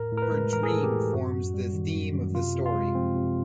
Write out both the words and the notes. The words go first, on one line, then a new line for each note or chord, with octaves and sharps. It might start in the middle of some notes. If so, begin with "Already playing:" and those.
Her dream forms the theme of the story.
Already playing: A2 A#4
A2
A#4
B4
G#3
E3 A#4
G#4
A2 A4
G4
A2
F#2 F#4
F#2
G3
D#3
F#2
F#2
C3 F4
C3
F4
G#3
F3 C4
C3